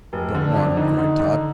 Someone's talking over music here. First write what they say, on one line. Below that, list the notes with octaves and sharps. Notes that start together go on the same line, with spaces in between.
"Don't want 'em!" cried Tot.
F1
D3
D4
F2
D3 D#4
D3
D3